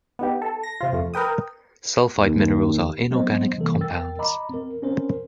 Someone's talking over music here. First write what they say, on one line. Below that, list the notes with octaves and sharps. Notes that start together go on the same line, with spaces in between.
Sulfide minerals are inorganic compounds.
B3 D#4 G4
A4
A#6
C3 F4
F2 A3
A#4 B4 G5 D#6
D#2
F#3 B3 C4 D4 C5 D#5
C3 E3 G3 A#3 A4
A#4 G5 E6 A6
D#5 A#5 B5 D6
C4 A#4
C4 C#4 A#4 C5